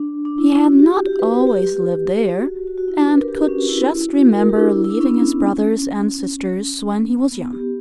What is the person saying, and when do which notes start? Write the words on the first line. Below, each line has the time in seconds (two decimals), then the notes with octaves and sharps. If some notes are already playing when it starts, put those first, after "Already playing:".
He had not always lived there, and could just remember leaving his brothers and sisters when he was young.
Already playing: D4
0.25 D4
0.38 E4
0.52 E4
0.66 F#4
0.79 G4
1.06 G4
1.19 B4
1.33 B4
1.47 G4
2.28 F#4
2.67 F#4
2.78 F#4
2.88 E4
2.98 D4
3.08 B4
3.18 A#4
3.28 G4
3.38 F#4
3.48 C#4
3.69 E4
3.90 E4
4.09 F#4
4.29 A#4
4.39 A#4
4.49 G4
4.56 D4
4.59 E4
4.69 E4
4.84 E4
4.90 D4
5.00 C#4
5.06 B3
5.11 C#4
7.32 B3
7.53 G4